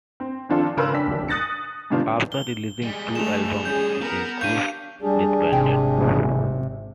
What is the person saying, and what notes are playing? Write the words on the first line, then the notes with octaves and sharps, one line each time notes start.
After releasing two albums, the group disbanded.
C4
D#3 F3 C4 D4 F4 A4
G#1 C#3 A#4 B4 C6 E6
D4 G5 B6
D#6 F#6 A6 A#6 C#7
G#2 C3 D#3 B3 D4 F4
G7
G3 G#3
A3 E7 F7
C#4 G#4 G6
B3 A#4 B4
D4 G4 C#5 F5 G6 D#7
G3 D4 G#4
G#1 C3 G5